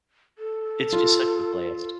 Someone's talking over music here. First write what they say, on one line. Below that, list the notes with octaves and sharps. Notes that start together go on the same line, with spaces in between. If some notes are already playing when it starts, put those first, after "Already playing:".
it's just such a blast.
A4
F4